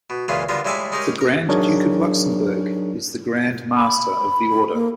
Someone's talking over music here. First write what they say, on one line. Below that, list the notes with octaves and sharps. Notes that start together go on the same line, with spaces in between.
The Grand Duke of Luxembourg is the Grand Master of the Order.
B2
C#2 A#2 E3 C#4 F4 G#4
D3 G3 B3 F4 A#4
A2 G3 G#3 E5 G#5 D6
G#3 C#4 D#4 G4 A#4
A#4
F#3 D4 D#4 G#4 A#4 C#5
B5
A#3